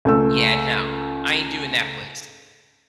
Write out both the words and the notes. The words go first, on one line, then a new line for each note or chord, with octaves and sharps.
Yeah, no. I ain't doing that place.
C#2 A3 E6